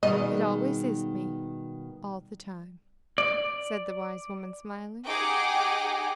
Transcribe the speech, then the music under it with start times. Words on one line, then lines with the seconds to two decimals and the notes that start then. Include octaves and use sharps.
"It always is me, all the time," said the wise woman, smiling.
0.03 B2 D#3 G3 G#3 D#5
3.18 D5
5.06 D#4 G4 G#4 F#5 G5 D6